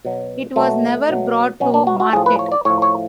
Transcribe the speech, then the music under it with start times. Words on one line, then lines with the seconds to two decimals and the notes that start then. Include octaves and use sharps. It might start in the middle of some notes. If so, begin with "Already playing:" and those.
It was never brought to market.
0.05 B2 F#3
0.56 B2 F#3 A3
1.09 B2 F#3
1.60 B2 F#3 C#4
1.74 D4
1.87 F#4
2.00 F#4
2.13 A2 F3 G#4
2.26 B4
2.39 C#5
2.52 D5
2.65 A2 F3 C#5
2.82 C#5